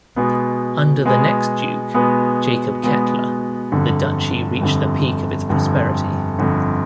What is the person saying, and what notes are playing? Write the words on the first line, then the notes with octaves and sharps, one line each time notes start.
Under the next duke, Jacob Kettler, the Duchy reached the peak of its prosperity.
B2 G#3 B3
B2 G#3 B3
B2 G#3 B3
B2 G#3 B3
G1 F2 D3
G1 F2 D3
G1 F2 D3
G1 F2 D3